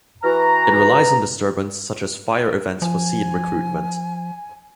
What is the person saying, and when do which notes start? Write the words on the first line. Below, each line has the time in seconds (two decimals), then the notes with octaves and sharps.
It relies on disturbance such as fire events for seed recruitment.
0.24 E3 F#4 A#5
2.82 F3 G#5